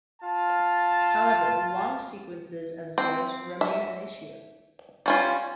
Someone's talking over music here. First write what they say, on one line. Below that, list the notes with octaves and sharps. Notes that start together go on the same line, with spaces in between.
However, long sequences of zeroes remain an issue.
F4 A5
C4
E5
G3 C#4 F4